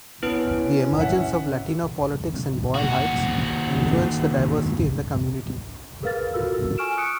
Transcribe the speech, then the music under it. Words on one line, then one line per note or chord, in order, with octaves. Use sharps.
The emergence of Latino politics in Boyle Heights influenced the diversity in the community.
B3 C#4 E4 B4 D7
E5 F#5
D#2 F#4
G#4 A#4 B4 F5 F6 A6
F4 F#4 A4 A#4 E6
G#5 C#6 F6 D7 E7
C#6 D#6 E6 F#6 C#7 D7